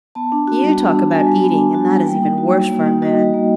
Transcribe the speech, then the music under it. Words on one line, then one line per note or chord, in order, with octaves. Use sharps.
'You talk about eating, and that is even worse for a man.
B3 A5
D4
F#4
G3
B3
D4
F#4 G#5
G3
B3
D4
F#4
G3
A#3 G5
D#4
F#4
G3
A#3
D#4
F#4 D#5
G3
A#3